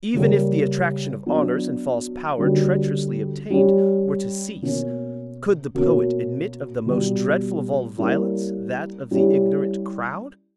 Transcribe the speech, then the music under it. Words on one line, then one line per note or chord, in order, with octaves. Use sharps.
Even if the attraction of honors and false power treacherously obtained were to cease, could the poet admit of the most dreadful of all violence, that of the ignorant crowd?
C#3 G3 A#3
F#3 B3 D4
D3 G3 A#3 C#4 F#4
G3 C#4 G4
B2 A#3 C#4
B2 A#3 C#4 F#4
B2 G3 B3
G3 A#3 C#4 E4
G3 C#4 E4 G4